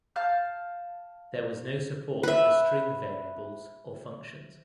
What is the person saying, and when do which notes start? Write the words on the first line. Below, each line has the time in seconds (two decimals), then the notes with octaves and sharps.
There was no support for string variables or functions.
0.16 F5 A5 F6 G6
2.23 B4 E5